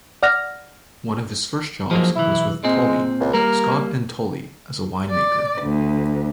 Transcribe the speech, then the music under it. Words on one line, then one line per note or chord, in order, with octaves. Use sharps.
One of his first jobs was with Tolley, Scott and Tolley as a winemaker.
D5 F#5 F6 A#6
G#2 F3 F#3 A#3
B1 E3 E4
A#2 G#3 C4
C#2
G3 A#3 A#4
D5
D2